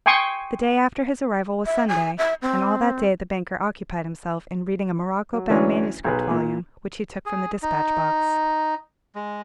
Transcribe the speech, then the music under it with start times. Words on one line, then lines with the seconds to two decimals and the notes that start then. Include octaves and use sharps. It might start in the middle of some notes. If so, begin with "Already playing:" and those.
The day after his arrival was Sunday, and all that day the banker occupied himself in reading a morocco-bound manuscript volume, which he took from the despatch-box.
0.06 G5 G#5 C6 C#6 D#6
1.66 E5
1.88 G#5
2.18 E5
2.42 C4
5.33 F#3
5.49 D2 E3 F#3 C#4 D4
6.04 B1 G#4 B4
6.31 A#2
7.26 G#4
7.63 D#4
9.15 G#3